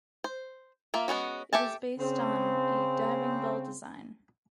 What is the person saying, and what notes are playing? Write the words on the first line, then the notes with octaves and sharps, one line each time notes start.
It is based on a diving bell design.
C5
A#3 F4 E5
G#3 B3 C#4 F#4
G4 A4 E5 G#5 A5
C#3 C4